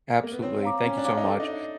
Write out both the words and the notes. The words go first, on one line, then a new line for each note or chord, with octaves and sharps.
Absolutely. Thank you so much.
A#3
B3
C4 C#5
F5 A#5 D6
C#4 C#5
D4
C#4 F5 A#5 D6
D#4
D4 A4
D#4
C#5 E5